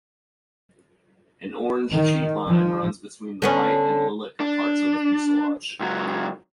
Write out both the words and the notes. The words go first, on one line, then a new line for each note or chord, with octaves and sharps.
An orange cheat line runs between the white and lilac parts of the fuselage.
D#3
F3
D3 B3 C#4
D4
C#2 F#3